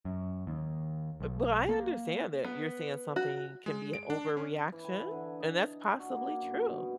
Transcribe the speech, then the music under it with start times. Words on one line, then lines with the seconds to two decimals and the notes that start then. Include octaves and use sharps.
Bu but I understand that you're saying something can be an overreaction, and that's possibly true.
0.05 F#2
0.47 D#2
1.20 B1
1.69 A#3
2.44 B3
3.16 F#4
3.66 G#3
3.93 D7
4.10 D4
4.37 C#4
4.72 E3
4.84 G#5
4.96 E3
5.11 D3
5.40 D#4
5.86 D4
5.99 F#4
6.16 A#3
6.42 F#2
6.65 B2
6.84 G#3